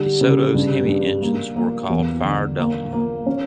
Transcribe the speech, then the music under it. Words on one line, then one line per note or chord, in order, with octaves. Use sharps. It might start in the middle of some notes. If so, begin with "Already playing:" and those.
DeSoto's Hemi engines were called Fire Dome.
Already playing: D3 G3
C#3
G2
G2
A#3
A#3
E2
D3
A#3
A#3
C#4